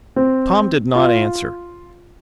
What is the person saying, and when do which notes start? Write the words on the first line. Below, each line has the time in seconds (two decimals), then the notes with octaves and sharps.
Tom did not answer.
0.16 C4
0.95 F4